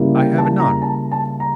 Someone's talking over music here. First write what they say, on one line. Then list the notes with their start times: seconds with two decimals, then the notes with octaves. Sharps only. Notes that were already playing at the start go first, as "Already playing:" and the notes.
"I have none."
Already playing: C#3 G3 A#3 E4
0.16 G5
0.38 A5
0.60 A#5
0.82 A5
1.12 A5
1.40 A#5